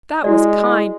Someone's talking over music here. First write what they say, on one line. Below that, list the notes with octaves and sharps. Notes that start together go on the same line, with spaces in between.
That was kind.
G#3 E4 F#4 D5